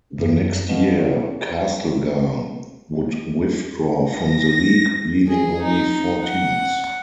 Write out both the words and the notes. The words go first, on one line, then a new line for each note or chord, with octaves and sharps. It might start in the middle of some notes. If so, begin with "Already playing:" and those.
The next year, Castlegar would withdraw from the league, leaving only four teams.
F#2
B2 G3 G#3 F5
E2
A#6
G#4
D#4
F#5